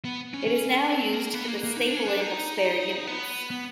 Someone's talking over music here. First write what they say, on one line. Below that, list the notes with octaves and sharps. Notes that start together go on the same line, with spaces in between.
It is now used for the stabling of spare units.
B3
C#4
C#4
C4
A#3
B3
A#3
A#3
D#4
D4
C#4
D4
D#4
B3
B3